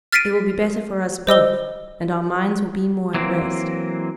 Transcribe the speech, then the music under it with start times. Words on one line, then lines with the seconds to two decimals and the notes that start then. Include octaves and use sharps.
It will be better for us both, and our minds will be more at rest.
0.12 F6 A6 B6 C7 D7 D#7
1.27 C5 D#5 E6 G7
3.14 E3 F#3 A#3 C4